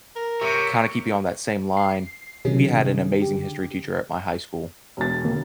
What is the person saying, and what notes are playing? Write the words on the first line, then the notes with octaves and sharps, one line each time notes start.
kinda keeping on that same line, we had an amazing History teacher at my high school,
A#4
C3 C#5 E5
C7
C3 D#3 F#3 C#4 D#4 G#4
D3 G4
E1 A6
D3 D#3 A#3